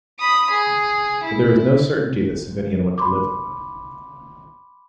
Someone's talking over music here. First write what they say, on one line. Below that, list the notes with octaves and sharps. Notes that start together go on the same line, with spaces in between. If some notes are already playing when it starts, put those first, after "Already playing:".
But there is no certainty that Savinien went to live with them.
B5 D#6
G#4
E4
B5 C6 D6